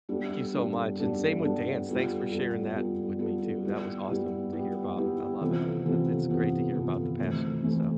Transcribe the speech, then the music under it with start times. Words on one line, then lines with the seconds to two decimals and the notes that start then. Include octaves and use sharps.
Thank you so much, and same with dance, thanks for sharing that with me too. That was awesome to hear about, I love it, I it's great to hear about the passionate stuff.
0.09 G3 B3 D4 A4
0.54 G3 B3 D4 A4
0.97 G3 B3 D4 A4
1.43 G3 B3 D4 A4
1.86 G3 B3 F4 A4
2.31 G3 B3 F4 A4
2.75 G3 B3 F4 A4
3.19 G3 B3 F4 A4
3.64 G3 B3 E4 G4
4.08 G3 B3 E4 G4
4.52 G3 B3 E4 G4
4.97 G3 B3 E4 G4
5.41 C3 E3 B3 F4 A4
5.85 C3 E3 B3 F4 A4
6.29 C3 E3 B3 F4 A4
6.74 C3 E3 B3 F4 A4
7.19 C3 E3 A3
7.63 C3 E3 A3